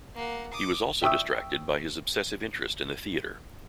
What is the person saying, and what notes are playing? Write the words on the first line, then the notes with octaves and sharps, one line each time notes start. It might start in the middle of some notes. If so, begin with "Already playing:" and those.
He was also distracted by his obsessive interest in the theater.
A#3 F#5
D6 D#6
E5 G5 C#6 D#6 E6